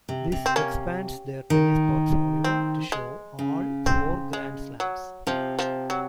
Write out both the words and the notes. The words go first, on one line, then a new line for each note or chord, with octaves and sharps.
This expands their tennis portfolio to show all four Grand Slams.
C3
C3
C4
A#3 C#4
D#3
C4
G#3
C#3
C4
G#3
F#3
C3 F3
F3
F#3